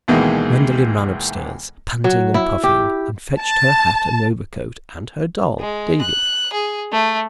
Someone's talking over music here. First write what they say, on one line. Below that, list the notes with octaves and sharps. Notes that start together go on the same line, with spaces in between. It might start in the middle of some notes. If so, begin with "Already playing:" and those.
Gwendolen ran upstairs, panting and puffing, and fetched her hat and overcoat and her doll David.
D2 B2 D#3 E3 G#3 A#3
F#3
E4
G4
A5
G#3
F#6
G#4
A3